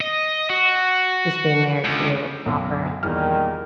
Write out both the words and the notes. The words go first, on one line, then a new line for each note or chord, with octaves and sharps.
just being there to offer, um,
D#5
F#4
C#2
B1 F#2
E2 A#2 D#3 G3 F6